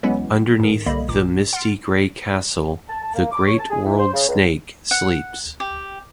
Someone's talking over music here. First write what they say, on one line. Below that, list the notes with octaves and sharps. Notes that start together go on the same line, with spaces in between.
Underneath the misty grey castle, the Great World Snake sleeps.
E3 F#3 G#3 B3 C#4 E4
G#2 D#3
C2 D3 G3 A#3 D#5 B5
A1 A#2 D6
F#5 C6 F6 A6 C7 D7
A5
A5
A#3
D6
C#5
A5
G#4
E3
C5
C#3
C#2
F#5
G4